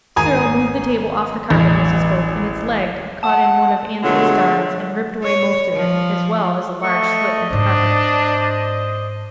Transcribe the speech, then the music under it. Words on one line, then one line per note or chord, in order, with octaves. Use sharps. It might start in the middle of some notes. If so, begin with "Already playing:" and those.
Cyril moved the table off the carpet as he spoke, and its leg caught in one of Anthea's darns and ripped away most of it, as well as a large slit in the carpet.
G#1 G#5 A#5 D#6
E1 A1
F#5 A5 D#6
B2 D3 F#3 G#3 A3 F4
C#5
F3
A3 D#5 C#6
G#2 C4 D4 C5